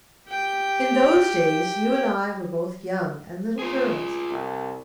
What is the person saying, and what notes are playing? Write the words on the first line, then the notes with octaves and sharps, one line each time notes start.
In those days you and I were both young and little girls.
G4 G5
F4 G#4
C2